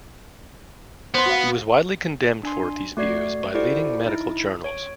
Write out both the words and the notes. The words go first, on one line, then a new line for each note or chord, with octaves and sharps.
He was widely condemned for these views by leading medical journals.
B3 C5 C6
F#4 F5
D4 G#5 C6
A3 F#4 D5 G#6 C7
E4 F#4 G4 A4 C5 D5
D#4 E4
C#5 D7